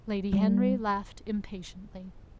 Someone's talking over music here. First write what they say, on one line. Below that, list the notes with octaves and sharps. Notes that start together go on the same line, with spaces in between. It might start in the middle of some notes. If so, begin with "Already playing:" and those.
Lady Henry laughed impatiently.
G3